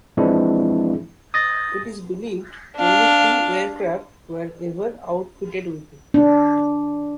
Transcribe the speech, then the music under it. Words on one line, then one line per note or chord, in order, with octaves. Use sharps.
It is believed only two aircraft were ever outfitted with it.
E3 F3 G#3 C4 D4 E4
D#6 A6 A#6
D4 F5
D4